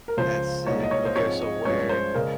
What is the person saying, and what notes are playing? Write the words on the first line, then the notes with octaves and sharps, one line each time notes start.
That's sick. Okay, so where
A#4
C#2 C#3 F3 C5
C2 A#2 G#3 D#4 C#5
D#5
C#5
C5
G#2 F3 G#3 C4 C#5
D#5
G2 F3 G#3 C#4 C#5
C5
C#3 G#3 A#4